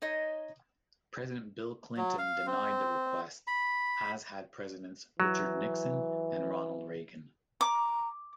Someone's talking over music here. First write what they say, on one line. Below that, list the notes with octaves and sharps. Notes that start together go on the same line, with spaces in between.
President Bill Clinton denied the request, as had Presidents Richard Nixon and Ronald Reagan.
D#4 C#5 D#5
F#3
F5
C4
B5
E3 F#3
A#5 D6